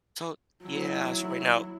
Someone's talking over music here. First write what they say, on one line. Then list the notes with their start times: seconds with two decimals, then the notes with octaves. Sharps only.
So, yeah. So right now,
0.65 F#3 E4